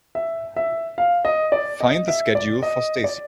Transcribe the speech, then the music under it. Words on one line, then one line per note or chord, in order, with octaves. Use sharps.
Find the schedule for Stacey.
E5
E5
F5
D#5
D5
D#5
E5
D5
D#5
D5